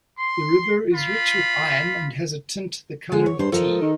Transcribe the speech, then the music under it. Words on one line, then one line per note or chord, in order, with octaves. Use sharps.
The river is rich with iron and has a tint the color of tea.
C6
F4 B5
D3 G#3
C#5
G2 C5
F3 A4 A#4 D#5
D#3